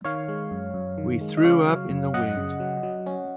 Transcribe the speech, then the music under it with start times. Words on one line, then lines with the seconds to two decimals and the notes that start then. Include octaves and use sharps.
We threw up in the wind.
0.04 D#3 C#5 F5
0.28 G#3
0.51 F#2
0.74 F#2
0.98 D#3
1.21 G#3
1.37 D#5
1.44 C#3 C#5 F5
1.68 F#3
1.90 F#2
2.13 F#2 D#5 F#5
2.37 C#3
2.60 F#3
2.83 F#3
3.06 C#4